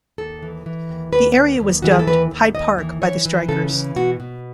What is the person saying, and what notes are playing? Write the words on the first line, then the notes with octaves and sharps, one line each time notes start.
The area was dubbed "Hyde Park" by the strikers.
D#2 A4
E3
E3
D#2
D#2 B4
D#2
D#2
E3 F#4
G#4
A4
D#2 B4
D#2
D#2 D#5
E3
E3 C#5
E3
C#3 A4
E3
B2 F#4
B2